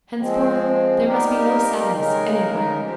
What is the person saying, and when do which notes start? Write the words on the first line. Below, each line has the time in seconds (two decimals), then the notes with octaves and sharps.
Henceforth, there must be no sadness anywhere.
0.17 F3 G#3 C4
1.04 G3 A#3 D#4 G4 A#4
1.92 C#3 G#3 D#4 A#4
2.80 F3 C4 G4